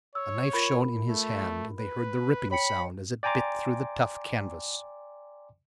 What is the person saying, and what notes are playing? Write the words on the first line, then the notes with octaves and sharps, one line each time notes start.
A knife shone in his hand, and they heard the ripping sound as it bit through the tough canvas.
C#5 E6
F4 A#4 B5
A3
B4
C#5 G5 B5 C#7
D5 G5 G#5 A#5 C6 D6